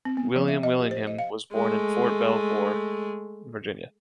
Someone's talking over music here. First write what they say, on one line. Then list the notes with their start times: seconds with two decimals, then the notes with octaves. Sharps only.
William Willingham was born in Fort Belvoir, Virginia.
0.05 C4
0.17 B3
0.36 F3
0.48 E5
0.63 D#5
0.80 G4
0.91 C5
1.07 D#5
1.19 F5
1.53 G#3 A3